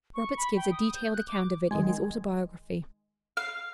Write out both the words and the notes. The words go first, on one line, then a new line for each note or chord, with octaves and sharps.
Roberts gives a detailed account of it in his autobiography.
C#6
B5
G5
D#6
G6
F#6
D6
D#3 G#3
F5